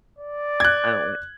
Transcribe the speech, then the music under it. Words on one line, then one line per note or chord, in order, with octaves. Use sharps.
I don't li
D5
F#6 G#6